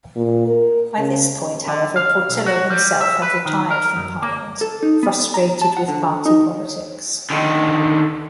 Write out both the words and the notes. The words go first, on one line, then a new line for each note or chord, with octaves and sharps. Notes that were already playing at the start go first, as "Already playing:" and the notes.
By this point, however, Portillo himself had retired from Parliament, frustrated with party politics.
A#2
A#4
C#3
D3
F5
B1
F#4
G3
E5
B4
D#3
A#4
F#2
A#3
A4
D#4
B3
A#5
A5
F#5
D3
D#4
D3 D#3